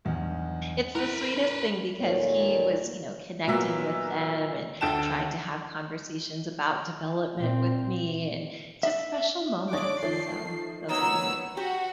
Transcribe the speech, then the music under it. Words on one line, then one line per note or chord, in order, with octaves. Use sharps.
it's the sweetest thing because he was, you know, connecting with them and trying to have conversations about development with me, and just special moments, so those are neat.
B1 E2 G2
E4 A#4 B4 F#6
D#2 A#2 A3 A#3 C#5
A#2 F#3 A#3 B3 E5
D2 A4 G5 A5 E7
A#2 C4
E5
G#3 D4 C#5 D5 D6
D#3 F3 A3 C7
F#3 A#3 B3 D#4 C#5 E6
F#4 G4 F#5